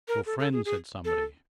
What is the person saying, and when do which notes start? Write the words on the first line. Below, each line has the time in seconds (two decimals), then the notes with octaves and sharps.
"Your friend," said somebody.
0.08 A#4
0.26 A4
0.39 A4
0.53 G#4
0.65 G#4
1.05 A4